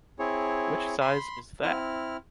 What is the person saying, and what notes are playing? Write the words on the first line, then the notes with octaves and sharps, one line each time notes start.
Which size is that?
C4 E4 G#4 C#5
B5 C6
C4 E4 F6